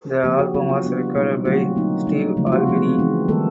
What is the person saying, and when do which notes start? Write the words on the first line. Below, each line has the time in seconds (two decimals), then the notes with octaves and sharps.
The album was recorded by Steve Albini.
0.24 C#3 F3 A#3 G4
0.39 F#4
0.54 C#3 F#3 B3 E4 F#4
0.69 F4
0.84 G3 B3 D4 F4
1.15 B2 G3 A#3 D#4
1.45 D3 F#3 A3 C4 F4 F#4
1.76 F#3 A#3 D#4
2.07 G3 A#3 D#4
2.37 C#3 F3 A3
2.47 F4
2.52 F#4
2.67 F3 G#3 B3
2.98 E3 G#3 C4 D#4
3.28 D#3 G3 A#3 A4